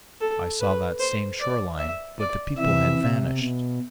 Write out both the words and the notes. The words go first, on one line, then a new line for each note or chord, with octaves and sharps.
I saw that same shore line, but the people had vanished.
A4
B4
C5
D5
E5
D5
C3 E3 E5
C3
B2